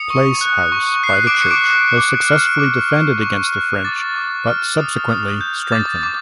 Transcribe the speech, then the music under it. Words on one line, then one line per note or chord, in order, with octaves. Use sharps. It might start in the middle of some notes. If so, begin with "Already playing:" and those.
Place House, by the church, was successfully defended against the French but subsequently strengthened.
Already playing: D#6 C#7
C#6
F#6
C#6
F#6 C7
D6 D7
F#6
C#7
D6 D7
F#6
D6
F6
D6
C#6
C#6
F#6
D6 A6
D6
F6
D#6
D#6
G6
D6 A6
D6